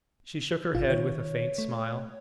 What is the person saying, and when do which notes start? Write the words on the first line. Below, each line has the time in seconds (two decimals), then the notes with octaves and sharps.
She shook her head with a faint smile.
0.75 G#1 F4
0.90 D#3 C#5
1.58 A3